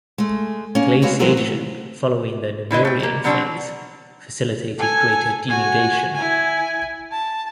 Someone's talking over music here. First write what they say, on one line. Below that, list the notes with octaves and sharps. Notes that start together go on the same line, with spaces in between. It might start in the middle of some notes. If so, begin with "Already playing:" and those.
Glaciation following the Namurian phase facilitated greater denudation.
G#3 A3
A#3 C#4
G#3 E4 F#4 G4 C#5 F5
E3 F#3 G#3 C4 A#4 C5
A2
D3 E4 B4 D#5
A3 G5
A#3 G4
B2 F#3 G3 C4 D4
A4 G#5
F#4 G#5
E4 G#5
A5